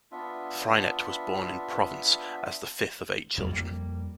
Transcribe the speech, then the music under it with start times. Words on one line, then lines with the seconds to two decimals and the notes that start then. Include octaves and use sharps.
Freinet was born in Provence as the fifth of eight children.
0.12 B3 D4 F4 E5
3.37 F2 G3 A#3